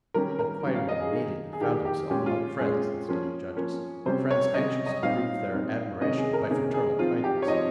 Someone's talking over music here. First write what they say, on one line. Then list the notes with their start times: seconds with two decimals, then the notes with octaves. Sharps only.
And Kwairyo immediately found himself among friends instead of judges,--friends anxious to prove their admiration by fraternal kindness.
0.14 D#3 G3 C#4 A#4
0.39 A#4
0.63 D#3 G3 C#4
0.75 F5
0.89 D#5
1.00 G#4
1.12 D#3 A#3 D#4
1.53 G#4
1.61 D#3 A#3 D#4 G4
1.85 G4
2.10 A#2 G#3 C#4 G4
2.26 F4
2.59 A#2 G#3 C#4 G#4
3.08 F3 A#3 C#4
3.57 F3 A#3 C#4
4.06 C3 G3 C#4 C5
4.31 C#5
4.54 C3 G3 C#4 D#5
4.86 D#5
5.03 A#2 G3 C4 D#4 F5
5.52 A#2 G3 C4 D#4
6.01 C3 D#3 A#3 C#4 D#5
6.18 G#4
6.33 A#4
6.50 C3 D#3 A#3 C#4 G#4
6.74 G#4
6.98 F3 C4 D#4 F4
7.24 G4
7.42 C#5
7.47 F3 C4 D#4 D#5